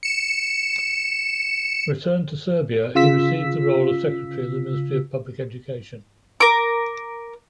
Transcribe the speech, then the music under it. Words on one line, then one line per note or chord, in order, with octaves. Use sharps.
Returned to Serbia, he received the role of secretary of the Ministry of Public Education.
C#7 E7
C#3 F4 E6 B6
A#4 D6